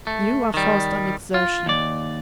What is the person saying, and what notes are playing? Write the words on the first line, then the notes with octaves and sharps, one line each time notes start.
You are forced on exertion.
A3
D#3 G3
F4
D#2 D5